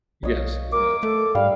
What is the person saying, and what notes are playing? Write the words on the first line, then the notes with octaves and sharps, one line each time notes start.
yes, yes,
B1 C#5 D#5 F5
A#4 D6
A3 A4
G#2 G3 E5 F5